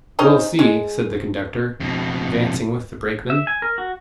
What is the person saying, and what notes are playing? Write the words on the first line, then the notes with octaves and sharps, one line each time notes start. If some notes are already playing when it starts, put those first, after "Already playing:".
"We'll see," said the conductor, advancing with the brakemen.
C#4 D#4 C5
G#3
F2 B2
E5
G#5
A#4
F#4